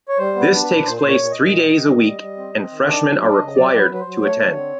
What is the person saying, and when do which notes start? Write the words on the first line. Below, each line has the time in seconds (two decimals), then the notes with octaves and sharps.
This takes place three days a week and freshmen are required to attend.
0.09 C#5
0.18 G3 C5
0.36 B3
0.41 B4
0.53 D4
0.63 B4
0.70 A#2
0.86 A#2 C5
0.97 C5
1.02 A#2
1.08 C#5
1.20 A#2
1.31 D#5
1.37 A#2
1.54 D#3
1.71 D#3
1.87 G3
2.03 G3
2.21 G3
2.37 C4
2.55 C4
2.71 D#3
2.89 D4 D5
3.05 F#3
3.22 D4 D5
3.33 C#3 D#5
3.55 F#3 D5
3.73 F#3
3.78 B4
3.90 F#3 B4
4.00 C5
4.06 F#3
4.23 A3 C#5
4.40 D3
4.57 C4